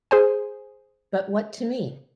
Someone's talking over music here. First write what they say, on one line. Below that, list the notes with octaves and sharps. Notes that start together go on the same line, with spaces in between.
But what to me?
G#4 C5 G#5